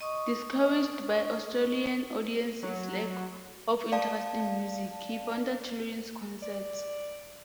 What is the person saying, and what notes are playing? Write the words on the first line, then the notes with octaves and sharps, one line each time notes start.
Discouraged by Australian audiences' lack of interest in music, he founded Children's Concerts.
D#5 C#6 D#6
F#3
D5 F5 A5
D5